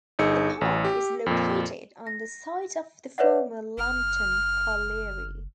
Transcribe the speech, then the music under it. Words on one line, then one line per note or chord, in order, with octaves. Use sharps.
The Park is located on the site of the former Lambton Colliery.
G1 D#4 G#4 E6 C#7
A1
G4
F2 A#2
A#6
B4 C#5 D5 E5 F#5
F#1 F6